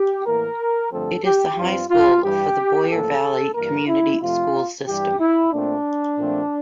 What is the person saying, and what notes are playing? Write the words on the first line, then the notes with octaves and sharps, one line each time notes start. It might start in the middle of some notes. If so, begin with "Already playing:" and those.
It is the high school for the Boyer Valley Community School system.
Already playing: G4
A2 E3 A#3 A#4
G2 D3 F3 A3 C4 A4
G4
G2 F3 C4 F4
F4
G2 E3 G3 G4
A2 F3 A#3 A4
G2 E3 A#3 A#4
E4
F2 C3 F3 A3 F4
G2 E3 G3 G4
E4
A#2 A3 C4 D4
A#2 F3 A3 C4